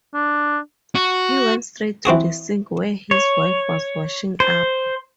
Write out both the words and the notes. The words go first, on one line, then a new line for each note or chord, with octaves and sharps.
He went straight to the sink where his wife was washing up.
D4
F#4
E3 C4 F#4 G#4
C#5
C5